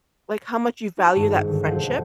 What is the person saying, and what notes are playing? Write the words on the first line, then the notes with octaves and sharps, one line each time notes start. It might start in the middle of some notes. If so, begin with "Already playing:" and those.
Like, how much you value that friendship?
D#4 F#4 D#5 G5 A5
G#1 G2 C#7
G2 D3 D#3
E1 F2 F5 F#5 G6